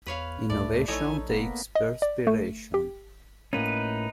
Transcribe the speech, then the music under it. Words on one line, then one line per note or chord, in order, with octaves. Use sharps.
Innovation takes perspiration.
E2 B4 C#5 F5
D2 A2 A3 D5
A#1 A3 D#4 E4 C#5 G#5
F1 A#3 B3
D#5
D5
A3
G4
A2 A#3 C#4 D#4 B4